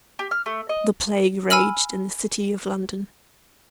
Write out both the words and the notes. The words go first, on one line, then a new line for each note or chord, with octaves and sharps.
The plague raged in the city of London.
G4
F6
A3
D#5
G#5 B5 E6 F6 F#7